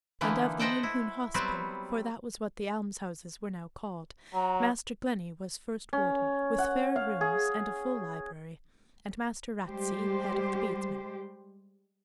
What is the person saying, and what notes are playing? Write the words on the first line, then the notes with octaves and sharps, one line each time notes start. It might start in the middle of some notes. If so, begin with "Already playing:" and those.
And of the Mohune Hospital--for that was what the alms-houses were now called--Master Glennie was first warden, with fair rooms and a full library, and Master Ratsey head of the Bedesmen.
D3 E3 A#3 B3 D#4
B4 C5 D#5 F#5 G5 A5
E4
F#3 G3 B3 C4
F#3 A#5
C#4
F#5
F5
G#4
G3 G#3 G4 C5